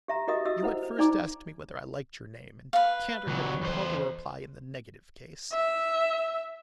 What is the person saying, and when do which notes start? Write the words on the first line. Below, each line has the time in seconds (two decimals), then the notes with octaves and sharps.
You had first asked me whether I liked your name, and Candour had compelled a reply in the negative case.
0.08 G4 E5 A#5
0.28 F#4 G4 A#4 D#5 E5 D#6
0.45 F#4 D#5 D#6 E6
0.63 E4 C5 F#5
0.83 C5
0.98 D#4 D5 G#5 A#5 D6
2.73 B4 F5
3.27 C#2 F#3
3.61 E2 C5
5.52 E5